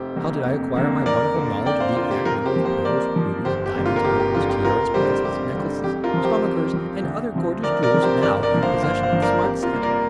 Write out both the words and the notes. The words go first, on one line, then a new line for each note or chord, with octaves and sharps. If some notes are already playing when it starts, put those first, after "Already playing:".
How did I acquire my wonderful knowledge of the exact number of pearls, rubies, diamonds, opals, tiaras, bracelets, necklaces, stomachers, and other gorgeous jewels now in the possession of the smart set?
Already playing: F1 G4 C5
F2 D3 A#3
F1
F2 D3 A#3
F2 A#4 D5
D3 A#3
F2 D5 G5
C5 F5
D3 A#3 F4
G4
F2 F4 A#4
G4 C5
F3 A#3
G4 C5
F2 A#4 D5
F3 A#3
G1 G4 C5
G4
F2 D3 A#3
F4
A#4
G1 G4
G4
F2 D3 A#3 F4
G4
F1 F4 A#4
F2 D3 G3 G4 C5
F1 G4
F2 D3 G3
F2 G4
F4 A#4
F3 C4
G4 C5
F2
F3 C4
D2
C3 F3 C4
D2 A#4 D5
A#4 D5
C3 F3 C4
G4 C5
G1 A#4 D5
A#4 D5
G2 F3 A#3
C5 F5
G1 C5 F5
C5 F5
G2 F3 A#3
A#4 D5
F2 G4
F4 A#4
C3 G3 A#3
A#4 D5